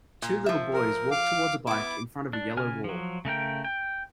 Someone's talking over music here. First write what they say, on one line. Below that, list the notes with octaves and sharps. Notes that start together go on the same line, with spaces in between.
Two little boys walk towards a bike in front of a yellow wall.
A#2
F3 E5
A#4
F5 D6
B3 E4 D6
D4
C#3 G#5 F6
F3 F#3
C#3 A3 A#4 G5
G5